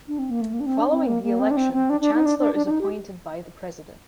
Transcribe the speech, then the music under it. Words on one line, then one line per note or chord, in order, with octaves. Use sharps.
Following the election, the Chancellor is appointed by the President.
D4
C4
A#3
A3
A#3
D4
C4
D4
C4
A#3
A#3
C4
D4
C4
C4
D4
D4
D#4
D4
D4
D4
D4
D#4
G4